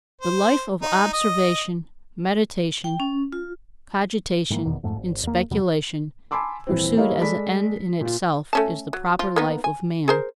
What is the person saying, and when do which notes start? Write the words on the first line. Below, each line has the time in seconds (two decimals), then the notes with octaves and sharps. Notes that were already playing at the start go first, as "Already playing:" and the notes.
The life of observation, meditation, cogitation, and speculation pursued as an end in itself is the proper life of man.
0.21 C5
0.82 D#4
1.13 D#5
2.84 G5
3.00 C#4
3.33 F4
4.50 G#2 D#3 E3 A#3
4.65 F1 E2 B2 D#3
4.83 F2 G#2 A3
4.96 G#1
5.23 E2 A#3
5.51 E2 C3 F#3 G3
6.31 G#5 A5 B5 C6 D6 E6
6.67 D#1 E3 C4
6.96 G3 A#3 E4 C#5 D#5 F5
7.21 G#3 A4 D5 B5 B6
8.01 A#2 F4
8.53 A3 C#4 A5
8.93 F#3
9.19 F3 F4
9.36 A#3 B3 D#4
9.64 G#5
10.08 G#4 A#4 C5